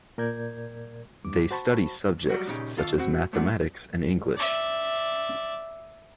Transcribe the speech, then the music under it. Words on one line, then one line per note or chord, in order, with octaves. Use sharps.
They study subjects such as mathematics and English.
A#2 A#4 D5 G6 G#6
G2 D6
F#4 C5 A5 B5 C#6
F#3 G3 F#4
A#2 C#3 D#4 G4
D#2 F4 A4
C4 F#4
A3 B3 D4 D#4 F#4
D5 E5